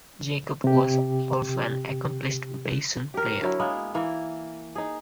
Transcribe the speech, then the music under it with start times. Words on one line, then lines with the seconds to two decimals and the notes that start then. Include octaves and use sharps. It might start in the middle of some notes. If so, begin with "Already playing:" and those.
Jacob was also an accomplished bassoon player.
0.64 C3 G4
3.14 G4 A#4
3.42 D3 F#3 E4
3.59 G#3 A#3 B3
3.94 E3 A#3 E4
4.75 D#4 G#4